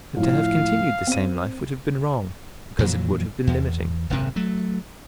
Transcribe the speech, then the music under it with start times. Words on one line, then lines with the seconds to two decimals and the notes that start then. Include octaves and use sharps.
But to have continued the same life would have been wrong because it would have been limiting.
0.17 A2 F3 E4 F5
1.07 C4 D#7
2.79 F2 A#2 E3 F#3
3.47 E2
4.10 D#1 G#1 F#2 C3
4.36 F#3 A3